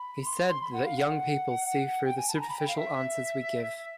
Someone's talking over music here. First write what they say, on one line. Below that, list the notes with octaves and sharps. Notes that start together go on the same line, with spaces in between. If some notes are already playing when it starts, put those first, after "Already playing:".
He said that young people "see through the superficial answers we give".
Already playing: B5
C6
C6
B5
F#5
F5
F#5
G5
G#5
A5
B5
A#5
B5
G5
F5
E5